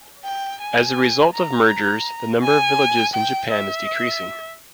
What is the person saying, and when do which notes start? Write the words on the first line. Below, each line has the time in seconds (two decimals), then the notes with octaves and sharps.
As a result of mergers, the number of villages in Japan is decreasing.
0.25 G5
0.61 G#5
1.34 A#5
2.42 G#5
3.14 G5
3.50 E5